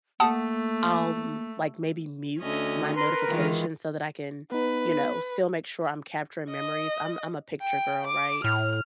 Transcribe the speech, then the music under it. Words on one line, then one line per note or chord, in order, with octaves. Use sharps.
I'll m like maybe mute my notification so that I can, you know, still make sure I'm capturing memories, I'm I'm a picture girl, right,
A3 A#3 F#5 A5 D#6
D2 C#4 D#5
A#4 B4 C6
D#3 E3 G#3 F4
B3 D#4 B4
D#5
G5
D6
A2 F6